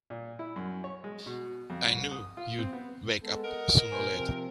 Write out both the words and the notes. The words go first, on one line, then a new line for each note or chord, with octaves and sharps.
I knew you'd wake up sooner or later!
A#2
E4
F#2
C#5
G#3
B2
F2
C2
D#6
F4
C4
B3
G#3 B3 A4
A#4 D#5 F#5
A#2 C5 G#5
C3 F3 C4